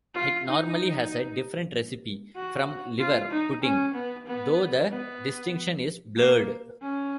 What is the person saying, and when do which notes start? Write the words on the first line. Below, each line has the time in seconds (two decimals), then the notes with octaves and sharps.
It normally has a different recipe from liver pudding, though the distinction is blurred.
0.15 F4
0.47 D#4
2.36 F#4
3.00 F4
3.31 D#4
3.63 C#4
3.94 B3
4.26 B3
4.89 B3
6.17 A#3
6.81 C#4